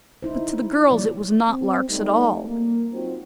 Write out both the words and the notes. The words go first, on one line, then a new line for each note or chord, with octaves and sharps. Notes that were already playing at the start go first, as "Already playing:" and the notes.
But to the girls it was not larks at all.
D#4 E4 C5
F3 A#3 C#5 D5
C4
G3 A3 D#4
A#3
F#3 C4 D#4 F4 F#4 C5